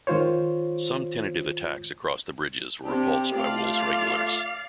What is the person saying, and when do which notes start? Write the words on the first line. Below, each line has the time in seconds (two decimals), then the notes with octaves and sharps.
Some tentative attacks across the bridges were repulsed by Wool's regulars.
0.07 D#3 G#3 F4 C5 C#5
2.84 C3 C4 D4 G4
3.34 A3 F4 D5 F5